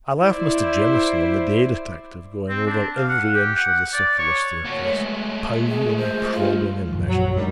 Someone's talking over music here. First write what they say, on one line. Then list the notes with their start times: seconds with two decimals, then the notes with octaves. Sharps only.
I left Mr. Jamieson and the day detective going over every inch of the circular staircase, pounding, probing and measuring.
0.20 E4 C5 D5
2.49 C4
2.66 D4
2.96 F5
3.09 F#5
3.35 G4
3.56 F#5
3.93 D5
4.18 C#5
4.65 F3 A#3 F#4 C#5
4.84 G#3 A3 B3 G#4
5.69 C#3 G#4
5.97 A#3 F4 A#4 C5
6.33 A#3 F4 A4
6.90 A#1 F#2 F3
7.08 F#3
7.36 F2 D#3 G3 G#3 D4